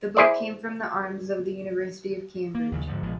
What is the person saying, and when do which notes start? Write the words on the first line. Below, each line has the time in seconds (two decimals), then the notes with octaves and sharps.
The book came from the arms of the University of Cambridge.
0.17 E4 G#4 C5 D5
2.55 A#3
2.72 D#2 C#3 F3
2.87 G#2 D3 F3
3.03 A#1 B2 F3 G#3